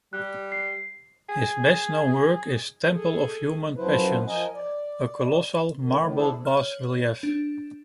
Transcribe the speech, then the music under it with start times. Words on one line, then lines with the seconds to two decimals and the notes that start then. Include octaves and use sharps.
His best known work is "Temple of Human Passions", a colossal marble bas-relief.
0.13 G3 F#6
0.52 C7
1.29 G#4
2.92 G#4 A4
3.77 F#2 F3 F#3 E4 B4 C5
4.28 F3 A#4 D#5 G#5
4.54 D5
5.79 D#3
5.95 A2 D#3
6.16 D4 E4 G#4 A4 C5 D5
6.45 F6
6.57 C#5
7.23 D4